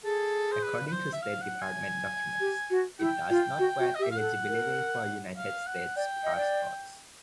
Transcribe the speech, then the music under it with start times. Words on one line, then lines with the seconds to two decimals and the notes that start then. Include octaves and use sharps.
According to State Department documents, it does not grant eligibility for United States passports.
0.04 G#4 A4
0.52 C5
0.63 B4
0.87 B4
0.92 C5
1.13 E5
1.22 F5
1.41 F#5
1.62 G#5
2.40 G4
2.70 F#4
2.99 E4 G5
3.30 F4
3.59 F#4
3.79 F#4
3.95 D#5
3.99 G4
4.02 E5
4.11 F5
4.19 A4 F#5
4.49 A#4
5.37 F5
5.67 F#5
5.96 D5 G5
6.24 D#5
6.36 D5